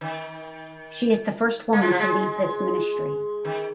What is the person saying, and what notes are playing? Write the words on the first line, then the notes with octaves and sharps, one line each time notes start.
She is the first woman to lead this ministry.
D#3
A#3
G#3
F3
G#3
D#3